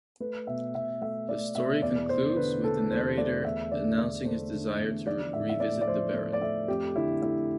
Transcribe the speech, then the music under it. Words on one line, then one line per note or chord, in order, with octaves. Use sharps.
The story concludes with the narrator announcing his desire to revisit the Baron.
A3 B4
B2 E5
B2 E5
A3 E5
A3 D5
B2 E5
E2 D5
E2 C5
D3 B4
D3 A4
E2 C5
A3 D5
E2 E5
D3 D5
D3 D5
A3 C5
D3
E2
F3 D5
A2 E5
E5
A3 D5
D5
F3 C5
A3
D5
A3 E5
F2 G4
D3 E4
A3 E4